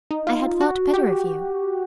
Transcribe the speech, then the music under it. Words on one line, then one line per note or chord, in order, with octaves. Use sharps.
"I had thought better of you."
D#4
F4
F#4
G4